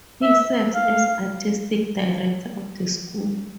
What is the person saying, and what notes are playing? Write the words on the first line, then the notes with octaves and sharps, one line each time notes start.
He serves as artistic director of the school.
E5
F5